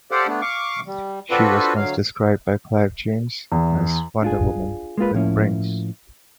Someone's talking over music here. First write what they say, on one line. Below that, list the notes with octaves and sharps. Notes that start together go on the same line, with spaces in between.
She was once described by Clive James as Wonder Woman with brains.
G4 A4 C5 D5 F5 F#5
A3 B3 D4
F5 C#6 D6
G3
C4 D4 F4 F#4 A4 B4
D2 F#3 F5
E2
D4 F4 G#4
G#3 A#3 F4 B4
A2 F3 A#3 C#4 E4